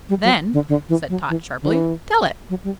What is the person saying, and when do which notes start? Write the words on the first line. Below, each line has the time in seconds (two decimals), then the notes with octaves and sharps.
"Then," said Tot, sharply, "tell it!"
0.09 G3
0.24 F#3
0.53 D3
0.69 D3
0.89 E3
1.09 F#3
1.29 E3
1.62 D3
1.68 E3
2.50 F#3
2.64 G3